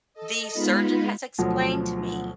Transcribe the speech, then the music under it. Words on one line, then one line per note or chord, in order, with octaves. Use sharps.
"The surgeon has explained to me
A4 D#5
G#3 B3 D#4 F4 B5
D2 B2 F3 F#3